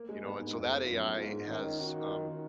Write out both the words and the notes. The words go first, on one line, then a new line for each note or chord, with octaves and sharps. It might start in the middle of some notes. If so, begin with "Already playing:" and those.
you know? And so, that AI has, um
Already playing: A#3
G#3
G#2 B3
D#4
F2
F#2 F4
G#2 F4
D#4
D#3 C#4
D#4
F#4
F4